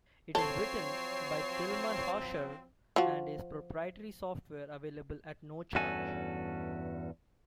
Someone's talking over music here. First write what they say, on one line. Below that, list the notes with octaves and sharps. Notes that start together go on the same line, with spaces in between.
It is written by Tilman Hausherr and is proprietary software available at no charge.
F3 F#3 C4 A4 C#5 C7
F3 F4 F#4
E2 G2 C#4 F#4 A4 G#5